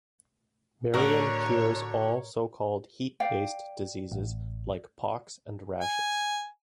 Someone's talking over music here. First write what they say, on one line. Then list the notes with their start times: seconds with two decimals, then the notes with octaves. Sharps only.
Mariamman cures all so-called "heat-based" diseases like pox and rashes.
0.94 A2 D3 F#4 A#4 C#5
3.20 D5 F5 G5
4.12 A1
5.81 G#5